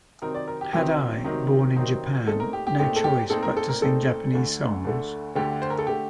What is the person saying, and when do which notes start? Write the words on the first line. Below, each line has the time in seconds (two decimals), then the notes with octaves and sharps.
Had I, born in Japan, no choice but to sing Japanese songs?
0.22 C3 D#3 F#3 C4 D#4 A#4
0.35 D5
0.48 A#4
0.61 G4
0.73 C3 D#3 F#3 C4 D#4 G4
1.24 C3 D#3 F#3 C4 D#4
1.76 C3 D#3 F#3 C4 D#4
2.27 A#2 A3 C4 D#4 A4
2.40 A#4
2.53 G4
2.67 G4
2.79 A#2 A3 C4 D#4 G4
2.96 A4
3.04 G4
3.30 A#2 A3 C4 D#4 A4
3.43 A#4
3.57 A4
3.69 A#4
3.81 A#2 A3 C4 D#4 A4
4.33 D2 D3 A3
4.85 D2 D3 A3
5.35 D2 D3 A3 G4
5.62 C5
5.70 A#4
5.79 A4
5.87 D3 A3 G4